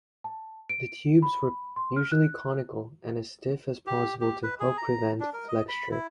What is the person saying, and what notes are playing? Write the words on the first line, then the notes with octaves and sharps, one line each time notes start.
The tubes were usually conical and as stiff as possible to help prevent flexure.
A5
D7
B5
C6
F6
F#6
G4
G4
B4
G#4
A#5
D4
A#4
D#5
B5
E4